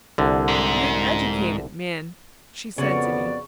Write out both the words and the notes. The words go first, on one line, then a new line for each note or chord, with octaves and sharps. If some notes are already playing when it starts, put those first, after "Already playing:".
'You're an educated man,' she said to me.
C2 D3
G#2
F2 C#3 B3 F#4 C#5 D5